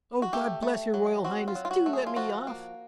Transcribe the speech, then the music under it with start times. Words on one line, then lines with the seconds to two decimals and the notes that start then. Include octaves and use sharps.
'Oh, God bless your royal highness; do let me off!
0.22 F#4
0.33 A3 G4
0.63 A3
0.94 F#3
1.24 C4 F#4
1.48 F4
1.55 F#3
1.65 F4
1.71 F#4
1.86 A3
1.93 G#4
2.07 F4
2.16 F3 F#4
2.47 A#3